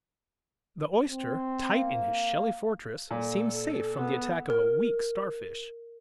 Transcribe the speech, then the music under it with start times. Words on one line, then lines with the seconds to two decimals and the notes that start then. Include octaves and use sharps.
The oyster, tight in his shelly fortress, seems safe from the attack of a weak Starfish.
1.11 C4
1.68 A#3
3.11 A#2 A4
3.94 B3
4.50 A#4